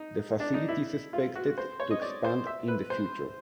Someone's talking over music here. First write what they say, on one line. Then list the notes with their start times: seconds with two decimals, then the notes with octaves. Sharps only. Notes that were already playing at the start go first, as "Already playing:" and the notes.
The facility is expected to expand in the future.
Already playing: D#4
0.40 D4
0.54 D#4
0.69 E4
1.13 F4
1.36 F#4
1.58 C5
1.80 C#5
1.91 D#5
2.02 D5
2.25 C5
2.47 E5
2.68 B4
2.90 C5